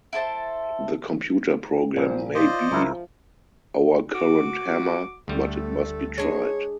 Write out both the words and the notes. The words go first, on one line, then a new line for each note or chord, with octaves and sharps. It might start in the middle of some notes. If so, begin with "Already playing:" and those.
The computer program may be our current hammer, but it must be tried.
E4 A4 C5 A5
A#1 A#2 C5
F4 C5 D5 D#5
C#2 F3 E4 A#4
F#4 D6
D2 G3 A3 A4
G#3 D4 C#5 D#5